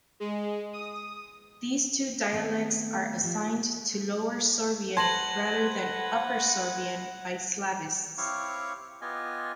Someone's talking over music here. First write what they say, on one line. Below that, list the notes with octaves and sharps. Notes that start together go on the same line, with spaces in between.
These two dialects are assigned to Lower Sorbian rather than Upper Sorbian by Slavists.
G#3
D#6
D#3 A3 B3 C4
F3 G3
B4 C5 F#5 A5 C6 G#6 A#6 F#7
C4 E4 G4 C#5 F5 C#6
B3 F4 G4 D#5 G#5